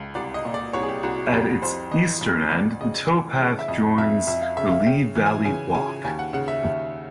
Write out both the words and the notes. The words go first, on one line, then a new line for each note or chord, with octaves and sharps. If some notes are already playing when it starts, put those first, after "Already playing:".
At its eastern end, the towpath joins the Lea Valley Walk.
Already playing: C#2
C2 D5
D#5
A#2
D5
C2 C#5
G#4
G4
C2 F#4
F2 G4
F2 C5
E3 D#5
F2
D2 D5
C#3 D#5
E3
C#3
E5
F2 D#5
F2 E5
F2 E5
F5
C#3 E5
F5
C#3 G5
E3
G#5
C#3 G#5
C#3 G#5
D#2 G#5
F#5
C#3 F#5
E5
D#2